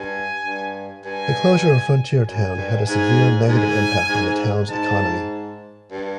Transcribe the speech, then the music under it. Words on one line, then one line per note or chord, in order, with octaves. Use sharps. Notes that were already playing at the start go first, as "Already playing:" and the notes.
The closure of Frontier Town had a severe negative impact on the town's economy.
Already playing: G2 G#5
G2
G2 G#5
F#2 G#5
G2
G#2 G#5
G#2 G#5
G#2
G#2 A5
G2